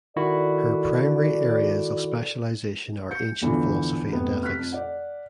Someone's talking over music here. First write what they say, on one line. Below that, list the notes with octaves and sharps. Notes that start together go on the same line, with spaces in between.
Her primary areas of specialization are ancient philosophy and ethics.
D#3 E4 F#4 A4 D5
G6 C#7
G1 E2 D3 E3 F3
F1 B3
C3 F6 F#6 B6
F2
D5 F#5